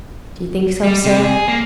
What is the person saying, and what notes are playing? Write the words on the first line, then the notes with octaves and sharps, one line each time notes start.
'Do you think so, sir?'
G3
C3
G#4
A#3